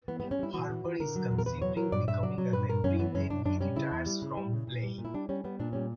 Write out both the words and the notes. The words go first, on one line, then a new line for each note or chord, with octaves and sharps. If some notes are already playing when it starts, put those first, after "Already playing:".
Harper is considering becoming a referee when he retires from playing.
E3 B3
G3 B3
C#4
G3 E4
E3 F#4
E3
E3
D3 A#4
F#3
E2
A#4
E2 B4
F#3 C#5
F#3 A#4
G2 D5
G2 E5
F#3 D5
F#3
G2 B4
G2 A#4
F#2 C#4
E3 B3
F#2 C#4
F#2 D4
F#2 D4
G3 C#4
C#3 E4
E2
G3
C#3
G3
C#3
A#2
G3
A#2
E4
G3 D4
G3 C#4
G3 B3
A#2 D4
G3 C#4